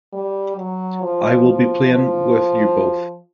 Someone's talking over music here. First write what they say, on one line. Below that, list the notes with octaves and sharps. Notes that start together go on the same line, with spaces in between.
I will be plain with you both.
G3
F#3
F3
F3
F3